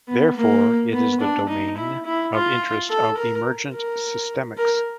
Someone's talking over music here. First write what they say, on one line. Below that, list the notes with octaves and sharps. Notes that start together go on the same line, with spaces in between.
Therefore, it is the domain of interest of emergent systemics.
B3
A#3
B3
D4
D#4
E4
E4
F4
A4
A#4
A#4
A#4